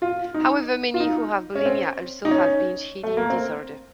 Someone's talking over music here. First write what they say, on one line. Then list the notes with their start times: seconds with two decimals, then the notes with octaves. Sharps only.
However, many who have bulimia also have binge-eating disorder.
0.02 F4
0.34 D#4
0.94 F4
1.00 D#4
1.55 C#4
1.66 C4
2.25 D#4
2.31 C#4
3.03 A3
3.17 A#3
3.30 C4